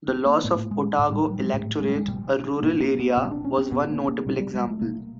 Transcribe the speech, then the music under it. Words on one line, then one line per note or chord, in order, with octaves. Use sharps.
The loss of Otago electorate, a rural area, was one notable example.
C4
A#3
A2 A3
G#3
A2
G3
F#3
G#3
A2 A3
G#3
G3
G#3
B2 G3
B2 A#3
A#3
B3
B2 C4
D4
C#4
C4
B2 B3
A#3
A#3
B2 G3
G3
G#3
A3
B2 A#3